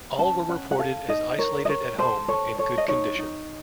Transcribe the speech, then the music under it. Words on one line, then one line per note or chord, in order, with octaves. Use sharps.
All were reported as isolated at home in good condition.
C#4 A5
C#4 F#5
F#5
A4 F5
D#4 D#5
A#4 C#5
D#5
A#4 C#5
A4 C5
A4 C#5
A4 C#5
D#5
D#4 C#5
D#4